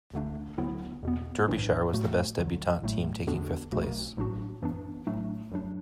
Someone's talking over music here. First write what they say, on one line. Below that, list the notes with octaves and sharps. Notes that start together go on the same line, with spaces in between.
Derbyshire was the best debutant team, taking fifth place.
D2 D3 A3 D4
D2 D3 F#3 B3 E4
E2 B2 B3
B1 A2 E3 D4
A2 F#3 A3 F#4
D2 D3 F#3
A1 A2 F#3 A3
E2 D3 B3 D4 F#4
B1 B2 A3 F#4
A1 A2 F#3 D4 F#4
F#2 E3 B3 D4
A2 F#3 A3 D4
F#2 F#3 D4